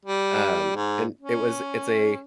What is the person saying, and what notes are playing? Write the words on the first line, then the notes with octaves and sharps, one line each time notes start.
Um, and it was it's a
G3
G#2
C#4